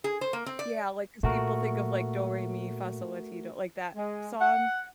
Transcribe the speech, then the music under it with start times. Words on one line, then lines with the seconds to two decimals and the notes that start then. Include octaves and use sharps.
Yeah, like, 'cause people think of like Do Re Mi Fa So La Ti Do, like, that song,
0.04 G#4
0.21 C5
0.33 A#3
0.46 C4
0.59 D5
1.23 A#2 A3 F#4 A#4
3.96 G#3
4.40 F#5